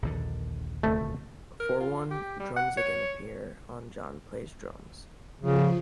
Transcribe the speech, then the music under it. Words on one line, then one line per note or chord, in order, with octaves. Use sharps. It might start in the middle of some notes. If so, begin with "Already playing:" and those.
For one, drums again appear on John Plays Drums.
A#1 D#2 D3
D#1 D2 C3 A3
A#4
F4
G4
G3
F#5
C#5
C#3 F3